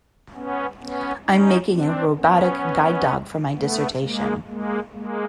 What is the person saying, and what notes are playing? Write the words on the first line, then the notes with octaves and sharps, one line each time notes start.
I'm making a robotic guide dog for my dissertation.
B3 C#4
B3 C#4
C#4 D#4
C4 D4
B3 C#4
A3 B3
G#3 A#3
G#3 A#3
G#3 A#3